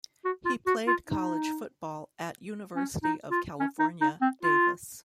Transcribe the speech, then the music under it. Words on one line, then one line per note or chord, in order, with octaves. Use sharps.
He played college football at University of California, Davis.
F#4
F4
F#4
F4
D#4
C#4
D#4
F4
C#4
D#4
D#4
C4
F4